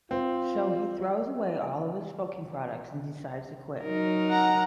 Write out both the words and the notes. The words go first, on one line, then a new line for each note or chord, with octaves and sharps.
So he throws away all of his smoking products and decides to quit.
C4 F4
F#3 D#4 A#4
F#5 A#5